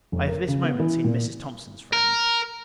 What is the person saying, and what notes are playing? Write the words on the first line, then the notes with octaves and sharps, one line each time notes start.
I have this moment seen Mrs. Thomson's friend.
F1
A#4
C#3
B3
E3
A#2
A#4